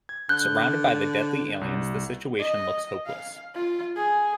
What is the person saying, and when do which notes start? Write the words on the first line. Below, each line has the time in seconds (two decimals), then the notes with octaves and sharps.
Surrounded by the deadly aliens, the situation looks hopeless.
0.09 G#6
0.29 D3 F#6 G6
1.61 C2
2.39 D#5
3.06 F5
3.54 F4
3.96 G#4